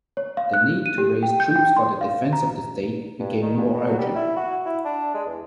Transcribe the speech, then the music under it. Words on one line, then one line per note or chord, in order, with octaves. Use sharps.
The need to raise troops for the defense of the state became more urgent.
C#5
F5
F#6
D#7
G4
G5
G6
G5
C6
F5
A#5
G2
D#3
G2
B2
F#3
G3
E4
F#4
E4
D4
G#3
E2